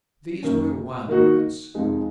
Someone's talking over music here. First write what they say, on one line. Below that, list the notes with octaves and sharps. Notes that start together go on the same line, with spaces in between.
These were wild words.
F#2 D#3 A#3 C#4
D#3 A#3 D#4 F#4
F2 C3 F3 G#3 D#4